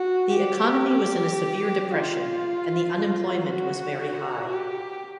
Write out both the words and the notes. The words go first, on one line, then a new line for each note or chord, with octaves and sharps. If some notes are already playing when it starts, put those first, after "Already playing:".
The economy was in a severe depression and the unemployment was very high.
Already playing: F#4
G4
F4
F#4
G4